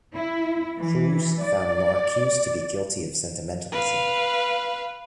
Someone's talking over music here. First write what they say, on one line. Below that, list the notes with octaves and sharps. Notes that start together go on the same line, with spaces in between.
Crews found Marcuse to be guilty of sentimentalism.
E4
E3
D5
B4 F5